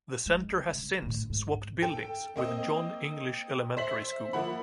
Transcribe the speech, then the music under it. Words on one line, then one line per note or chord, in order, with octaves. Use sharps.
The Centre has since swapped buildings with John English Elementary School.
G#3
C#3
A2 D3
G#2
A4 G5
A#3 C4 D#5
C5 E5 B6 F#7
F3 A#3 E4 F#5 B5